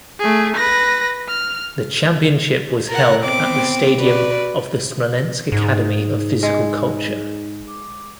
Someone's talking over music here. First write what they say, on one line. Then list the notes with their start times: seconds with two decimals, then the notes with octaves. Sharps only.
The championship was held at the stadium of the Smolensk Academy of Physical Culture.
0.19 A3 G#4
0.57 B4 A#6
1.29 F6
2.89 A#4 F#5
3.23 B3 C4 D6
3.97 F#4 B4 D5
5.52 G#2 D#4 G#4
6.43 G#3
7.67 D6